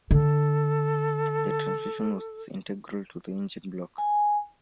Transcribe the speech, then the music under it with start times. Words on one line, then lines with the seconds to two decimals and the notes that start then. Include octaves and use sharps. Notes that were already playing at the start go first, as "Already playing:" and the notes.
The transmission was integral to the engine block.
0.11 D3 A4
3.98 G#5